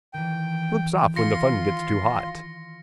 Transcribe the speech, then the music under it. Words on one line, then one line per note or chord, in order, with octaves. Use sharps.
Slips off when the fun gets too hot.
D#3 E3 G5
F4 C6 A#6 C#7